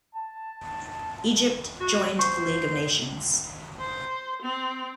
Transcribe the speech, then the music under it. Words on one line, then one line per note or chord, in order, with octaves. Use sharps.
Egypt joined the League of Nations.
A5
F#4
C5 C#6
C5
C4